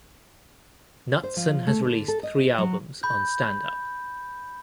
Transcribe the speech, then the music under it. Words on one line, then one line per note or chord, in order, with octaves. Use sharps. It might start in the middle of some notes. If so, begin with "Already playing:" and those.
Knutson has released three albums on Stand Up!
C5
F3
A3
D3
A4
D#5
F#3
B5 G6